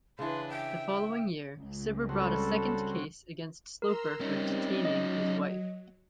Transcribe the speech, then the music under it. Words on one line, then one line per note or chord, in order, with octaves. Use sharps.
The following year, Cibber brought a second case against Sloper for "detaining" his wife.
C#3 E3 D4 B4 C6
E5 G5
C#2
C#3 G3 C4 F#4 A4
A#4 A#5 C6 E6
G3 C4 C#4 D#4
F#3 D#5